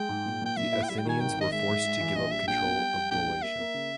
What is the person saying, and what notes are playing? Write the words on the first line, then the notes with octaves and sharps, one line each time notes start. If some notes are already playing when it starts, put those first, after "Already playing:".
The Athenians were forced to give up control of Boeotia.
Already playing: G#3 G5
G#2
A#2
A#2 G5
A#2 E5
E4
G5
G3 E5
G5
D#3 G#5
G#1 G5
D#3 D#5
G#3 E5
G#2
G#3
E3
A#1 D#5
G3 E5
A#1 G5
B3
G3
G3
A#1 G5
G3
A#3 E5
A#3
C#3